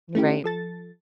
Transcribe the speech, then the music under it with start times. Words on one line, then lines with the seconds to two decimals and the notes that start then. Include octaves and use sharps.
N right.
0.15 A3 C#4 E4 G4
0.44 F3 A4 A6